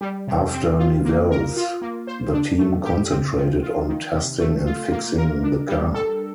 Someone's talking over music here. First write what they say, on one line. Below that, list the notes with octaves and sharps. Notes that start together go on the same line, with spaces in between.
After Nivelles, the team concentrated on testing and fixing the car.
G3
C3
C4
F4
A#3
A#4
F4
A#3
C5
D4
A3
G4
C4
F3
F4
D#3
C3
A3
F4
A#3
A#4
D4
G3
A4